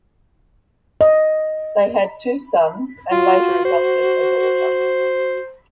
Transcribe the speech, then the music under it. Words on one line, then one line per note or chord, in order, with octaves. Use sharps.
They had two sons and later adopted a daughter.
D#5
F4 F#4
C5